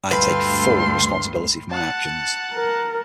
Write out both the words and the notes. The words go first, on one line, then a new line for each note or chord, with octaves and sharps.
I take full responsibility for my actions.
D2 G2 A4 B4 F5 G5 C6
F#5 A5
A#4